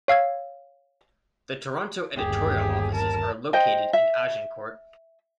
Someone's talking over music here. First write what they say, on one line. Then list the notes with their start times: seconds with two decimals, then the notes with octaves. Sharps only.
The Toronto editorial offices are located in Agincourt.
0.08 C#5 F5 E6 G#6
2.16 G1 D#2 G4 G#4
2.95 A#4 A5
3.53 C5 D#5 G5
3.93 E5